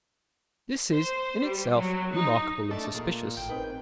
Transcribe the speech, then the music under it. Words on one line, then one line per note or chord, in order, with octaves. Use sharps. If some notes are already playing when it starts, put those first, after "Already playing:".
This is, in itself, remarkable and suspicious.
C5
G3
F#3
D#4
A3 D4 E4 D5 D#5 A5
A#2 G#4
G#1 A2 A3 G5
C4 D#4 G#4 A#4 B4